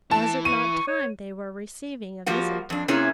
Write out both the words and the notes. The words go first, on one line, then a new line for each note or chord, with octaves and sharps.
Was it not time they were receiving a visit?
E3 A5
C#6 D#7
C#5
F3 G3 A#3 F#4
F2 D4
C3 A#3 C#4 E4 G#4